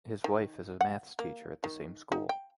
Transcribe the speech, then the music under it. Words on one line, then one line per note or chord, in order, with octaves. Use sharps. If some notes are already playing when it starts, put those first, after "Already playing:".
His wife is a maths teacher at the same school.
D#3
F#5
A#3
D#3
D#4
G5